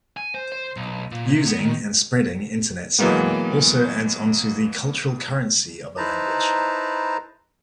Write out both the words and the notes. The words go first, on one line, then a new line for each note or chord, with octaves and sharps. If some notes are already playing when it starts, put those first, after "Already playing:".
Using and spreading Internet slang also adds onto the cultural currency of a language.
G#5
C5
C5
B1
A#2
C3
B3
D#3
B2 E3 F#3 G#3 A#3 B3
D#4 E4 B4 C5 A5 A#5